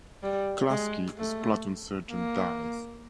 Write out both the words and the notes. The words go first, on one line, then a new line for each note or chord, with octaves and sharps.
Klasky, his platoon sergeant, dies.
G3
G#3
A3
A#3